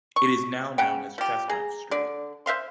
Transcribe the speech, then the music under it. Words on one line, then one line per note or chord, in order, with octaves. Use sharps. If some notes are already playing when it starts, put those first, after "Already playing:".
It is now known as Chestnut Street.
C#6
C#3 F#5 G5
F3 G4
G#4 A#5
D3 D5
C5 E5 F5 C6